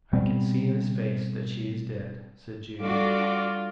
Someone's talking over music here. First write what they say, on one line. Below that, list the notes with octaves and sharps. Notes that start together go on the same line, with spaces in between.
"I can see in his face that she is dead," said Jude.
B2 G3 B3 C4
G3 D4 F4 F#4 A4 D5 D6